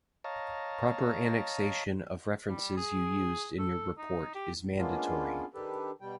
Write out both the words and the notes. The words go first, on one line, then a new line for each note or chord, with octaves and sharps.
Proper annexation of references you used in your report is mandatory.
C#5 D#5 F5 A5 A#5
G3
G#4
A4
D#4
G4
G#3 A#3 B3 C#4 D4 F4
D#3 D4 G4 A4 B4
B2 G3 G5